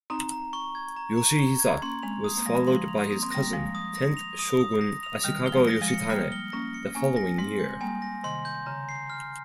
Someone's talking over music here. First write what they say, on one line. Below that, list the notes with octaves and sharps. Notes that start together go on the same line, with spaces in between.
Yoshihisa was followed by his cousin, tenth shogun Ashikaga Yoshitane, the following year.
C4 D#4 A#5
A#5
C#6
G#6
A#5
A#5
C#6
G#6
A#3 C#4 C6
G#3 C4 F7
D#6
A#3
F3 G#3 A#6
F3 G#3 C6
F7
A#3 D#6
C4
G3 A#3 A#6
F3 G#3 D#6
D#6
A#6
F7
D#6
D#6
A#6
F7
D#3 G3 F6
G7
F3 G#3
A#6
F3 G#3
C#7
G3 A#3 F6
G7
A#3 C#4 A#6
C#7
A#3 C#4 G#5
A#6
G#3 C4 C6
G6
G3 A#3 G#5
A#6
C3 D#3 C6
G6
C#3 A#5
C7
F6